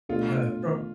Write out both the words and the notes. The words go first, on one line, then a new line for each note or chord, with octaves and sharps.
uh, from
B2 A3 D4 F4